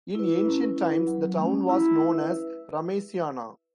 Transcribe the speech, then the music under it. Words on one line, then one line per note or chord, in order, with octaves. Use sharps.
In ancient times, the town was known as Remesiana.
E4 B4
C#4
E4 B4
F#3
A3 C#4
E4
B4 E5